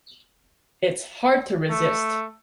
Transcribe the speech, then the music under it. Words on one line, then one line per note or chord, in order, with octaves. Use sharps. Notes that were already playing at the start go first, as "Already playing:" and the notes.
It's hard to resist.
A3